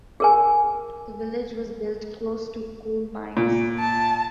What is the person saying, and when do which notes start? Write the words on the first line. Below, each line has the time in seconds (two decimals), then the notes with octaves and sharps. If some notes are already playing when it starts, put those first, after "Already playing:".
The village was built close to coal mines.
0.20 G#4 A#4 G#5
3.37 A#2
3.79 A5